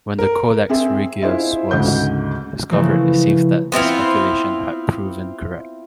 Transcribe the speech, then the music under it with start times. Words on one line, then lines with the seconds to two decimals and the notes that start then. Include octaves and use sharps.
When the Codex Regius was discovered, it seemed that this speculation had proven correct.
0.19 A#4
0.69 C4 G#4 E5
1.22 E4 F4 G#4 C5 D#5 E5
1.71 D2 G#2 C#3 D#5 G6
2.71 C#3 E3 F3 A3 A#3
3.72 B3 C4 E4 F4